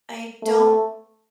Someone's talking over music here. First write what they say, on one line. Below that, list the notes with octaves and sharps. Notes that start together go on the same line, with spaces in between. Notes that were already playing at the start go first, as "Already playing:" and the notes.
I don't
A3